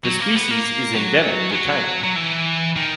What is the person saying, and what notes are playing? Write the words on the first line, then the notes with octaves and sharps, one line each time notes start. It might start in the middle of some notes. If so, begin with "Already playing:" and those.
The species is endemic to China.
F#3
A#3
B3
A#3
F#3
G#3
F#3
F#3
E3
D#3